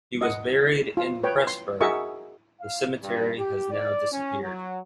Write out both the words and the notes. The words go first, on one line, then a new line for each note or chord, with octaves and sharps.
He was buried in Pressburg, the cemetery has now disappeared.
D#5 F#5
F4
B4 C#5 G5
C6
F#4 G#4 A#4 D#5 E5 C#6
F5
G2
G4
D5
C#4
F#3